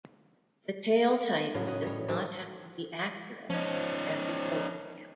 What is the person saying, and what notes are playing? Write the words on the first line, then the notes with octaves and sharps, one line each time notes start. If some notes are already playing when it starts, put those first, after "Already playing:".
The tale type does not have to be accurate for every folktale.
A2 C#3 F#3
F#4 C#5 D#5
A2 G3 C#5
D#3 F#3 A3 C4
F3 C#4 D#4